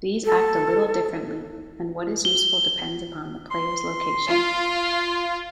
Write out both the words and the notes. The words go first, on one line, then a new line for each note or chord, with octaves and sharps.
These act a little differently, and what is useful depends upon the player's location.
A4
G7
C6
F4